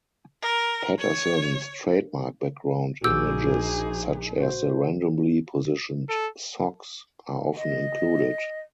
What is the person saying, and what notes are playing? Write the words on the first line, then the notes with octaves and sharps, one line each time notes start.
Paterson's trademark background images, such as the randomly positioned socks, are often included.
A#4
C#5
A#1 D#4 F#4 G#4 D6 E6 G6
F#4 C5
A4
D#5